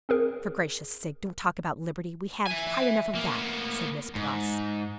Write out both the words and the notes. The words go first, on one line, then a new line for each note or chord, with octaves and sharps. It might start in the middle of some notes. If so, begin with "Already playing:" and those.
"For gracious sake, don't talk about Liberty; we have quite enough of that," said Miss Pross.
C4 G#4 A#4
E5 G#5
A#3 B3
G#2